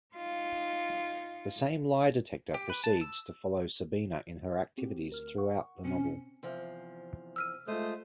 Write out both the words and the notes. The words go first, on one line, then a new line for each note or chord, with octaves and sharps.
This same lie detector proceeds to follow Sabina in her activities throughout the novel.
D#4 F4
G4
B4
A5
E6
C4 F#4 G4
D2 A#4 F6
F#5 C#6
B2 C4 C#4 C#7
E2 C3 F3
E6 F6 D#7
G#3 A3 F4 C5 D#6